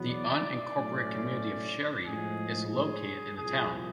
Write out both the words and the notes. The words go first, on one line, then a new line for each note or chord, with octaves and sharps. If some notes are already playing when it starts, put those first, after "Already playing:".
The unincorporated community of Sherry is located in the town.
Already playing: E2 B2 F#3 B3
D5
A2 F#3 A3 C#4
A2 F3 G#3 G#4
G#4
C2 A#2 F3 G#4